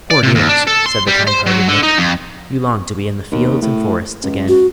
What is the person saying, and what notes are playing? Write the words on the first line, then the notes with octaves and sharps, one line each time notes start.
"Poor dears!" said the kind-hearted knook, "you long to be in the fields and forests again."
D5
C3
D#2
D4
A4
C6
G3
C5
F#3
D3
D#4
F2
D#2
A2
C#2
F#4